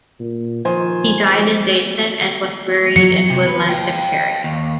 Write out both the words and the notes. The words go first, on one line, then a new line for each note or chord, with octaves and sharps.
He died in Dayton and was buried in Woodland Cemetery.
A#2
D#3 F3 C5 G#5
F#3 C#7
C3
B4
F5 G5
D#2